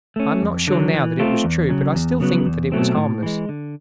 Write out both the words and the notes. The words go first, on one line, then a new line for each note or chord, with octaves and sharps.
I am not sure now that it was true, but I still think that it was harmless.
A3 C#4
F2
D3 F#3
E3
A3 C4 F4
E2
C#3 F#3
E2
C#3 F#3 B3
E2
B2 F#3 A3 C4
A2
E3 G#3
D3